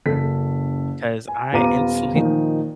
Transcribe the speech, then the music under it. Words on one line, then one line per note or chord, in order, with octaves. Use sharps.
'cause I instantly
F#1 C#3 A4 B6
G#5
D#1 B3 F4 A#5 D6 D#7
A#2 D#3 F3 D#4